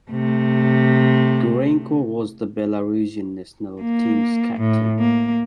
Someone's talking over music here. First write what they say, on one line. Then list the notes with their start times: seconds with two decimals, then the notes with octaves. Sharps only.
Gurenko was the Belarusian national team's captain.
0.11 C3 A3
3.82 A#3
4.60 A2
4.99 A#3